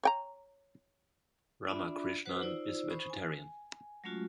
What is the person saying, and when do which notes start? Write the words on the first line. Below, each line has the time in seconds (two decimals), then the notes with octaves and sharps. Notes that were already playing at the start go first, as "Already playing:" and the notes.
Ramakrishnan is vegetarian.
0.03 C#5 G5 A#5
1.67 D4 F4 D5 E5 B5
2.25 F#4 B4 C5 F#5
2.41 D#4 F4 C5 D5 E6
2.90 C5 B5 C#6 D#6
3.10 G#5
4.04 F#3 G#3 A3 C#4 F4 F#4